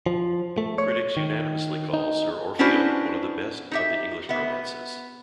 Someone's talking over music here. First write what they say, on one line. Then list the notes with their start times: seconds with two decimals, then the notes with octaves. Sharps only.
Critics unanimously call "Sir Orfeo" one of the best of the English romances.
0.06 F3
0.58 A3
0.78 C#5
1.17 D#3
1.94 D#4
2.59 B3 C#4 D4 E4 F#4 C5
3.71 D#4 G4 E5
4.29 B3 E5